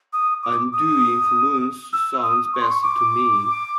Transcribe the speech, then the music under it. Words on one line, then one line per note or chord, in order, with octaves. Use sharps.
Undue influence sounds best to me.
D#6
D6
D#6
E6
D#6
C#6
C6
C#6
D6